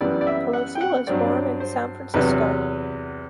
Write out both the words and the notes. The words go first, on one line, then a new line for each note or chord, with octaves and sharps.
Pelosi was born in San Francisco.
F#2 E3 G3 B3 D5
D5
E5
F#5
G5
F#5
G2 F#3 C4 D5
C5
E2 C3 F#3 B4